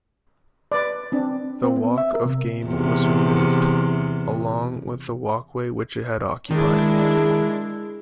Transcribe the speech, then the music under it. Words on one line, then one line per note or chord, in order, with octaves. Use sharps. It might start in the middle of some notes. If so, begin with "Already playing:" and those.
The Walk of Game was removed, along with the walkway which it had occupied.
B4 D5
C4 D4
C4
B3
E5
A#4
C3
E2 C3
D#3 G#3 D4 E4